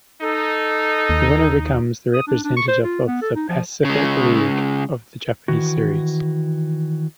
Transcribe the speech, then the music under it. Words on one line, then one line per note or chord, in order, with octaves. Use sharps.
The winner becomes the representative of the Pacific League to the Japan Series.
D#4 A4
D#2
D#6
D4
D4
C#6
C5
F4
B3
A4
D#4
F3
C#3 G#3
D#3 E3 F#4